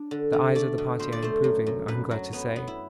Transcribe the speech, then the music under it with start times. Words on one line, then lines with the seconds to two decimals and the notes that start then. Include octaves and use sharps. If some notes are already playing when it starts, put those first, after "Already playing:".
The eyes of the party are improving, I am glad to say.
Already playing: D4
0.11 D3
0.33 D3
0.55 A3 D5
0.78 B2
0.99 B2 C5
1.12 D5
1.22 A3 C5
1.44 F#2
1.66 F#2
1.88 F#2 B4
2.11 F#3
2.33 B3
2.56 B3
2.67 E4